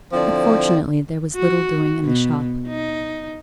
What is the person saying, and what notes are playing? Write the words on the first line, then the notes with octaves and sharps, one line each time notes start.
But fortunately there was little doing in the shop.
D3 F3 C4 E4 D5
F#4
B2
D#4